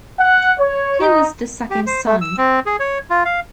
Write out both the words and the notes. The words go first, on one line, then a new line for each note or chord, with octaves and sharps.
He was the second son.
F#5
C#5
D#4
G4
C5
A3
E6
C4
G#4
C#5
F4
F5